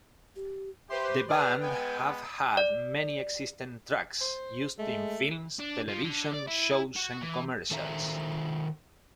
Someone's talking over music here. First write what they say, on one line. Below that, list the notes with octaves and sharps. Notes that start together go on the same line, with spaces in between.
The band have had many existing tracks used in films, television shows and commercials.
G4
G4 B4 C5 E5 C6
G#4 B4 D5 F6
G#3 B3 G5 G#5
D5
C5
G#3 A3
D4
F3
D3
D5
E4
F#4
E3
D#3 A4 C5 E5 F#5 A#5